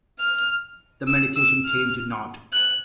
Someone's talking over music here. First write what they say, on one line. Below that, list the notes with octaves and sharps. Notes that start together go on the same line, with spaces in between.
The mediation came to naught.
F6
E6
E6
F6
F#6